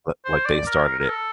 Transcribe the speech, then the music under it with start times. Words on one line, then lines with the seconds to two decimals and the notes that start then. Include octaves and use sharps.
But, like, they started it.
0.25 C5
0.45 D5
0.66 A#4
0.99 A#4
1.09 A4